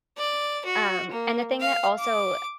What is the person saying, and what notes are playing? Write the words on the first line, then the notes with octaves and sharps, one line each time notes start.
um, and the thing that also,
D5
F#4
A#3
F5
D6